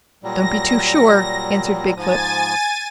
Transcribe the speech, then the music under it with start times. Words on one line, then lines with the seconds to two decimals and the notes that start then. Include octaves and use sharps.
"Don't be too sure," answered Big-foot.
0.23 A#2 F#3 G3 A#6
1.96 G#2 F3 G#5 A6 D#7